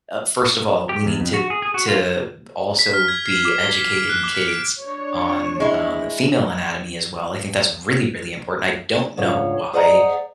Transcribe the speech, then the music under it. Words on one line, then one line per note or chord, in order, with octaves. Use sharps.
uh, first of all, we need to to also be educating kids on, um, the female anatomy as well. I think that's really, really important, I don't know why
G4
E2
F2
F#4
G#4
G#4
F#4
F4
B6
F6
G#6
C7
D6
G7
B6
D7
F#6
D6
B6
D7
D4 C#5
G#3 E4
D2 G#2 C#3 F3 C#5
G#4 C5 D5 D#5 F#5 A#5